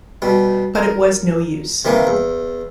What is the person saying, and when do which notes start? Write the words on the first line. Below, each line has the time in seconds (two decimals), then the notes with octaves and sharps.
But it was no use.
0.22 B2 G3
0.75 A#4
1.85 C3 D#3 E3 A#3
2.07 E2